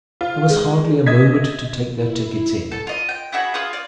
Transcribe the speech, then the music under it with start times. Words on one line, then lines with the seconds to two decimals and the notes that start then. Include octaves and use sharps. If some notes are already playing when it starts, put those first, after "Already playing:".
There was hardly a moment to take their tickets in.
0.21 F4
0.50 G#3
1.06 D#5 E5 G#6 B6
1.92 E4
2.71 A4 A5
2.87 F4 D#5
3.09 G5
3.32 E4 F#4 G#4 E5
3.54 F4 G#4 D#6 F6
3.73 D5